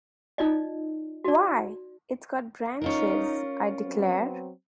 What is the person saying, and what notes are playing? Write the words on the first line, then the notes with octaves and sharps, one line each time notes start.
Why, it’s got branches, I declare!
D#4 F4 D5 D#5
F#4 D5
C#4 D#4 F4 A#4
F#3 B3 C4